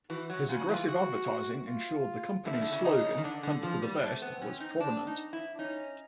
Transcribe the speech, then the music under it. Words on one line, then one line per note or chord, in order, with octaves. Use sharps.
His aggressive advertising ensured the company's slogan "Hunt for the best" was prominent.
E3 F#4
F#3 F#4
C#3 F4
F#4
E3 F4
F#4
F#4
F4
D3 E4
D#3
D3
C#3
D#4
C#3
D#3
D3 D4
D3
F3 C4
B3
G3 C4
A3
B3
C#4
D#4
D4
D#4
E4
D4
C#4 D#4